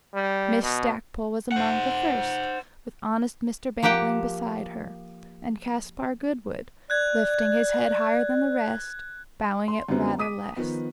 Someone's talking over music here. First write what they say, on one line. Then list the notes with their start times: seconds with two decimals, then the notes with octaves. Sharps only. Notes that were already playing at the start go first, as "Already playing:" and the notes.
Miss Stackpole was among the first, with honest Mr. Bantling beside her; and Caspar Goodwood, lifting his head higher than the rest--bowing it rather less.
0.14 G3
0.62 B2
1.52 C5 F#5
3.83 F3 A#3 G4 F#5 G5
6.90 D5 F#6 G#6
9.68 C6
9.89 F#2 D3 G3 B3 C4
10.19 D6 D#6 B6 D#7
10.56 D#3 F3 B3